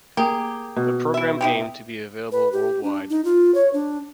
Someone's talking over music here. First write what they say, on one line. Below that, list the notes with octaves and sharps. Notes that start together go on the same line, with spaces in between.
The program aimed to be available worldwide.
A#3 G4 G#4
B2
E4 E5
D#4 E4 G4
B4
G4
D4
D#4
F4
C#5
D4